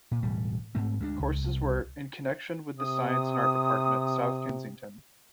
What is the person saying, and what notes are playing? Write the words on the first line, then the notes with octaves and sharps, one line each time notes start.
Courses were "in connection with the Science and Art Department, South Kensington".
A#2
E1 A2 G3
G#2 A3 C4
D2 G#3 C#4 D4
C#2
C2
C3 D#6